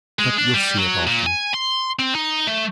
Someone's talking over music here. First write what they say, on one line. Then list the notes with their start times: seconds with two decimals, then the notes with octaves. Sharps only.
But you'll see it often.
0.19 G#3
0.38 D4
0.54 G3
0.77 F#3
1.07 A#2
1.26 G#5
1.54 C6
1.99 C4
2.15 D#4
2.48 A3